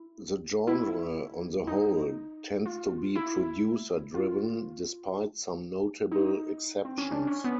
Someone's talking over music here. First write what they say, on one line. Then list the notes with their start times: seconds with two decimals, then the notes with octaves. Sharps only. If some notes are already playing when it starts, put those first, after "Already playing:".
The genre, on the whole, tends to be producer-driven, despite some notable exceptions.
Already playing: E4
0.67 E4
1.67 D#4
2.66 F4
3.16 E4
4.14 F4
6.12 D#4
6.85 C4
6.98 C#4
7.11 D4
7.27 C#4
7.44 B3